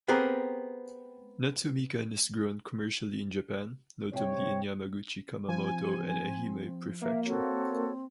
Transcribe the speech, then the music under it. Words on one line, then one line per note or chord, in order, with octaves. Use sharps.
Natsumikan is grown commercially in Japan, notably in Yamaguchi, Kumamoto and Ehime prefecture.
B3 C4 G4 G#4 A#4
C3 G3 C5 C#5 G5
F3 C4 G#5
A#3 E5
C4 F#4 A4 C#5